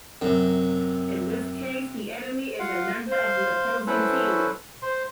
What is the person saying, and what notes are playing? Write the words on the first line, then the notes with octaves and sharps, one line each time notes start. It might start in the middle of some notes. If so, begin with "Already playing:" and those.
In this case, the enemy is a member of the opposing team.
F#2 C3 C4
F4 F5 F#5
C5 F5 C6
F#3 C#4 E4 A4 B4 C5
C5 C6